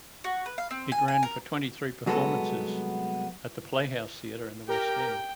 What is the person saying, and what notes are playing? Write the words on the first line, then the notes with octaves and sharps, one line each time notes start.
It ran for twenty three performances at the Playhouse Theatre in the West End.
F#4
B4
F5
C4
G#5
G#5
A#4
C2 F#3 G#3 B3 A4
G4 A#4 G5 A#5